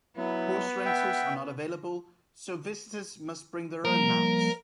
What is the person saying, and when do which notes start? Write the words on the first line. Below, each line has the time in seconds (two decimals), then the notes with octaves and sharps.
Horse rentals are not available, so visitors must bring their own mounts.
0.17 F#3 B3 E4
0.85 E5 F#5 G5
3.85 F3 G3 A#3 A#4